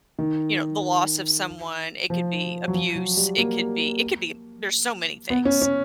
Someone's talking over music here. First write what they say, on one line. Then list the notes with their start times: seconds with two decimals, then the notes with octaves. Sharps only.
you know, the loss of someone, it could be abuse. It could be it could be there's so many things.
0.19 D#3
2.10 F3
2.68 F#3
2.74 F3
2.96 F#3
3.17 G3
3.38 A#3
5.30 B3
5.45 C#4
5.62 C#4